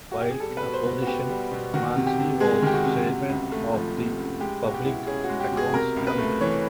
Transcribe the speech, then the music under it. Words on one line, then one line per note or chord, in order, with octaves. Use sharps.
While in opposition Mancini was chairman of the Public Accounts Committee.
F#4
G4
G#4
G3 A4
B4
B2
C5
B2
F#4
B3 G4
G3
B2
D#3 F#4
C3
G4
C3
G#3 G#4
D#3 G4
F#4
C3
C3
C#2
A3
F3
C3
C#2
G#3 G4
B2 F#4
G4
E4
C#4 G#4
F#4
G#3
G4
B2
G#4
C3 A#4
C#2
B4
A3
E3 C#5